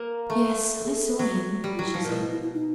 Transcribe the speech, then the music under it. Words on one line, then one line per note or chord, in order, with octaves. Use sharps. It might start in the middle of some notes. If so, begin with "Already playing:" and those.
"Yes, I saw him," she said.
Already playing: A#3
A3
A4
G#4
A4
F#3
G3 G4
F4
F#3
E4
F3 F4
A#2
B2 E4
E4
E4
E4
D#4